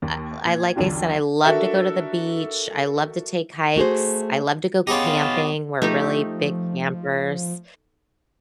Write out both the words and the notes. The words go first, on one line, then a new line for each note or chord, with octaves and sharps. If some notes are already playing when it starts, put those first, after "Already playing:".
I I like I said, I love to go to the beach, I love to take hikes, I love to go camping. We're really big campers,
D#2
A#2 G#6
B1 E2 D3 D4 F4 G4
D4 F#4 A4 A#4 E5
A3 F#4 G#4 C5
B3 D#4 F4 G4 G#4 C#5
F3 A3 D#4 G4